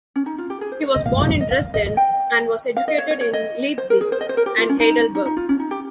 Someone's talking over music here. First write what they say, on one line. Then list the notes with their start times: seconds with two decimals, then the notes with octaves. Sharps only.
He was born in Dresden, and was educated in Leipzig and Heidelberg.
0.16 C#4
0.26 D#4
0.38 F4
0.50 G4
0.61 G#4
0.72 C5
0.83 C#5
0.94 D#5
1.06 F5
1.41 D#5
1.51 F5
1.74 D#5
1.86 D#5
1.97 G5
2.77 F5
2.88 D#5
2.98 C#5
3.11 C#5
3.21 C#5
3.33 D#5
3.78 C5
3.90 A#4
4.01 G#4
4.12 C5
4.21 D#5
4.29 C5
4.37 A#4
4.46 G4
4.58 F4
4.69 C#4
4.80 D#4
5.15 D#4
5.26 D#4
5.37 F4
5.49 C#4
5.60 D#4
5.71 G4